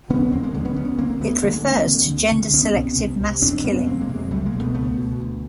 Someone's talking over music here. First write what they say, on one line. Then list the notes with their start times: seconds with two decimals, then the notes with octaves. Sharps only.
It refers to gender-selective mass killing.
0.10 D3 B3 C#4
0.32 D#2 A#3 C4
0.43 G#3 A#3
0.54 D3 F#3 G#3
0.65 B3 C#4
0.76 D2 B3 C#4
0.98 D3 A#3 C4
1.21 D2 A3 B3
1.42 D3 G#3 A#3
1.65 D2 A#3 C4
1.87 D3
2.09 D2
2.31 D3
2.53 C2 B3 C#4
2.76 C3
2.98 C2
3.20 C3
3.42 F2 C4 D4
3.64 C3 B3 C#4
3.86 F2 A#3 C4
4.01 G#3 A#3
4.09 C3
4.16 F#3 G#3
4.31 C#2 G3 A3
4.46 G#3 A#3
4.52 B2
4.60 A3 B3
4.74 C#2 A3 B3
4.97 B2
5.19 D2